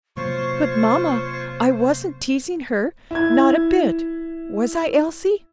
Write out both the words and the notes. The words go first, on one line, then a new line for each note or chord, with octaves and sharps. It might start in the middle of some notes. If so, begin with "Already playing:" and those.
But, mamma, I wasn't teasing her, not a bit; was I, Elsie?
C3 F#3 A#3 F4 C5 C#5 C#6
E4 G#6